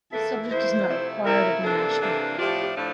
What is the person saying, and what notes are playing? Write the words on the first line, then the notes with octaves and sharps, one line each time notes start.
This subject is not required at a national level.
E2 E3 A#3 E4 A4
E2 E3 A#3 E4 C5
C3 F3 A3 E4
C3 F3 A3 E4 A#4
C3 E3 A#3 D4 A4
C3 E3 A#3 D4
A2 F3 A3 D4 F4 G4
A2 F3 A3 D4